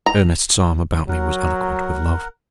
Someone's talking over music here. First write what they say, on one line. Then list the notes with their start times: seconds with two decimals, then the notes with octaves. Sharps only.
Ernest's arm about me was eloquent with love.
0.06 A#5
1.09 F#3 A#4 F#5